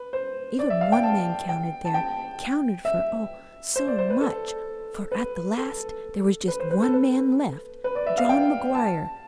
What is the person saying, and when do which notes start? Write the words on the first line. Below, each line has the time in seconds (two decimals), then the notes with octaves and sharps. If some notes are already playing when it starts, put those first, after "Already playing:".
Even one man counted there--counted for, oh, so much!--for at the last there was just one man left----John McGuire.
Already playing: B4
0.13 C5
0.59 D5
0.70 E5
0.81 F5
0.92 G5
1.03 A5
1.49 G5
1.85 A5
1.94 G5
2.85 E5
3.76 C5
3.87 D5
3.99 C5
4.10 B4
4.21 A4
5.12 B4
5.58 A4
6.48 B4
6.60 C5
6.71 B4
6.82 A4
6.94 B4
7.84 B4
7.95 D5
8.06 E5
8.18 F5
8.29 G5
8.75 A5